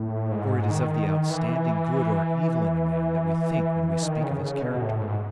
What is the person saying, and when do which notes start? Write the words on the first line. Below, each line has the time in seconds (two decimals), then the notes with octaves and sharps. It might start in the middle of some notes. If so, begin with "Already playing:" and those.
For it is of the outstanding good or evil in a man that we think when we speak of his character.
Already playing: A2
0.31 G#2
0.70 D#3
0.90 D#3
1.10 D#3
1.30 E3
1.49 E3
3.83 E3
4.03 D#3
4.23 C#3
4.42 C#3
4.62 B2
4.82 A2
5.00 G#2